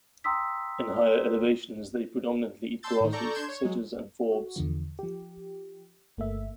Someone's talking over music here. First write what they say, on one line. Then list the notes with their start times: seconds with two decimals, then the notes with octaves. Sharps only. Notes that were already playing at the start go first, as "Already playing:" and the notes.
In higher elevations, they predominantly eat grasses, sedges, and forbs.
0.24 G5 A#5 C6 D#6 E6 B6
2.83 A5 C6 E6 G6 A6
3.01 A2 D#3
3.12 A4 D5 A#5 C#6 G6
3.35 D4 C6 G6 G#6 E7
3.49 C#5
3.65 F#3 G#3
4.32 F#4
4.56 E2 D3 F3
4.99 F3 G4
6.17 G1 A3 A#3 E5